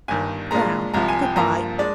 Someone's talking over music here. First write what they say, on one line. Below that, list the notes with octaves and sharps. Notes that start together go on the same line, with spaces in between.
Now good-bye.
G1 G2 D#3 G#5
A#2 G#3 D4 F4 A#5
C2 C3 F3 A#5
G#5
G5
G2 F3 A#3 A#5
G#3 D4 D5